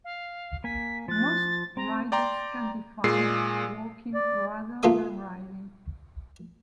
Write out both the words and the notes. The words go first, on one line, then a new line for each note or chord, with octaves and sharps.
Most riders can be found walking rather than riding.
F5
A#3 G#5 B6
F3 F#6 A6
C4 A#5
D5 G5 A#5 C6
A#2 G#3 G#4 C7
D5
C#2 A#3 F4 A4 E5 D#6